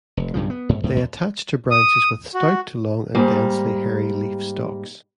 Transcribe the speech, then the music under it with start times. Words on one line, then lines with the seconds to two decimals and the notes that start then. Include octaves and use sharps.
They attach to branches with stout to long and densely hairy leaf stalks.
0.17 F1
0.34 B1 G2 C#3 F3
0.50 B3
0.69 G#2
0.84 E2 A2
0.96 E2
1.71 D#6
2.35 F#4
3.15 G#2 G3 A#3